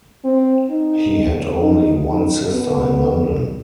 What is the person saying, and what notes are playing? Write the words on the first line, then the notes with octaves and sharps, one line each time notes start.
He had only one sister in London.
C4
D#4
D#4
D#4
B3